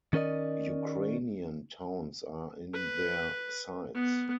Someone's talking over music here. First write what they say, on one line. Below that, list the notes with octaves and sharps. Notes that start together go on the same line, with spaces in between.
Ukrainian towns are in their sights.
D#3 C#4 A#4 D5 D#5
B4
B3